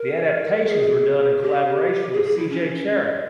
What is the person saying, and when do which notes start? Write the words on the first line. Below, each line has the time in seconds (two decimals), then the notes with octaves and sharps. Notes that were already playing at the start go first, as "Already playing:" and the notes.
The adaptations were done in collaboration with C. J. Cherryh.
Already playing: A#4
0.69 G#4
1.42 G4
2.13 G#4
2.25 G#4
2.37 E4
2.49 C#4